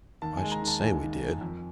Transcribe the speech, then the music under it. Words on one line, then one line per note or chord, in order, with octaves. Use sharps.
"I should say we did?"
D#2 A5
G#3 G#5
A#5
D#3
A5
D#2 G#5
D#2
D#3
F2